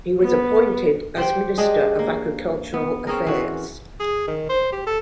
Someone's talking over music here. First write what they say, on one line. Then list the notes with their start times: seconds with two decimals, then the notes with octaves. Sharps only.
He was appointed as Minister of Agricultural Affairs.
0.21 B3 B4
1.17 G4 C5 F#5 G5
1.57 G#3 D4 G4 G#4
1.99 A#3
2.74 B3
3.07 C4 C#4 G#4 A#4
3.27 E3 F#4
4.00 G#4
4.28 D#3
4.49 C5
4.72 G4
4.87 A4